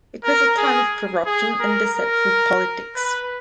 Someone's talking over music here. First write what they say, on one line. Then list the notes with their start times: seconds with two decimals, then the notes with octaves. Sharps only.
It was a time of corruption and deceitful politics.
0.24 A#4
0.58 G#4
1.26 G#4
1.60 A#4
1.94 A#4
2.96 B4